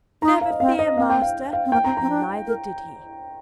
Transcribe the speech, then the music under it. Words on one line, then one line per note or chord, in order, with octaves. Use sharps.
"Never fear, master!" and neither did he.
D#4 A#5
F5
D#5
C4 F5
D#5
C4 F5
G5
F5
F5
C4
A#3 G5
C4 A#5
C4 A#5
D4
A#4